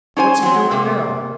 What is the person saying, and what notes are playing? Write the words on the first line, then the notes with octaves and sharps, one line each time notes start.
"What's he doin' now?"
C#4 D4 C5 G#5
F#3 C4
C3 A#3